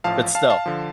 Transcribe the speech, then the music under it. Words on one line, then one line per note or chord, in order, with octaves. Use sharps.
but still.
A1 A2 F3 F5 A5
F5 A5
F5 A5
D3 F3